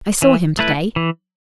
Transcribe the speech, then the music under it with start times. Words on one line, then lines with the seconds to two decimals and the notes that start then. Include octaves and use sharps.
"I saw him to-day."
0.22 E3
0.59 A3 E4 B4
0.96 E3